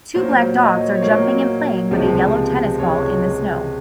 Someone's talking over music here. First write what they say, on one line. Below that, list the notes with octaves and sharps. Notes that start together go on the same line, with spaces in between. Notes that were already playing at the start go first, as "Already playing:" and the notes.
Two black dogs are jumping and playing with a yellow tennis ball in the snow.
A#2 F#3 A#3 C5
D#5
C#5
C5
C#5
A#2 F#3 A#3
C#2 C3 F3 G#3
C#2 C3 F3 G#3 C#5